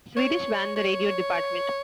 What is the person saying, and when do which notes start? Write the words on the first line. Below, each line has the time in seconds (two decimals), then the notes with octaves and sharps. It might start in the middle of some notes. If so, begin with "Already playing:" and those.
Swedish band The Radio Dept.
0.17 C#5
0.76 C#5